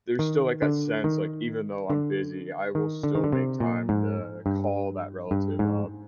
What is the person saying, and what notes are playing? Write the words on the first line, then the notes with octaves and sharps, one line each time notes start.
there's still, like, that sense, like, even though I'm busy, I will still make time to call that relative up
D#3
D3
D#3
D3
D#3
D3
D#3
D3
C3
A#2
G#2
G2
G2
G#2